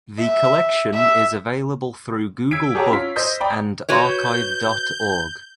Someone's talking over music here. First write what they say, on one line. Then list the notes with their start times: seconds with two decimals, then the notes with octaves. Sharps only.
The collection is available through Google Books and archive dot org.
0.19 E5
0.94 E5
2.51 E6 G#6 B6 D7
2.75 G4 G#4 C#5 F#5 A5 A#5
2.91 C#4 F4 B6
3.16 C5 D#5 D#6 G6 B6
3.40 D5 G5 A#5 B5
3.89 F#4 B4 C#5 G6